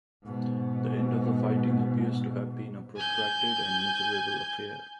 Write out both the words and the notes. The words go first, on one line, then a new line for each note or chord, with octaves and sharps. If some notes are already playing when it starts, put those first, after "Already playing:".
The end of the fighting appears to have been a protracted and miserable affair.
G#2 B2
G#5 G6